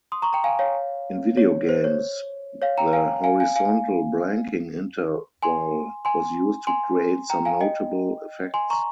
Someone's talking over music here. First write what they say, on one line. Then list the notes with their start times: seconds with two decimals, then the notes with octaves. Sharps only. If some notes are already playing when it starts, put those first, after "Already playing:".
In video games, the horizontal blanking interval was used to create some notable effects.
0.12 C6 D#6
0.22 A#5 C#6
0.33 G5 A#5
0.44 F5 G#5
0.59 C#5 F5
1.37 C#5
1.69 C5
1.84 C#5
2.62 C#5 F5
2.78 G5 A#5
2.93 F5 G#5
3.24 F5 G#5
3.40 F5 G#5
3.56 F5 G#5
5.43 G#5 C6
6.05 G#5 C6
6.67 G#5 C6
7.30 G5 A#5
7.45 F5 G#5
7.60 D#5 G5
8.54 G#5 C6
8.70 A#5 C#6